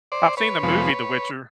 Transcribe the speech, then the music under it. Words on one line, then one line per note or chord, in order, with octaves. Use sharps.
I've seen the movie The Witcher.
C5 D5
B4 C#5
F2 C3 F3 G#3 B3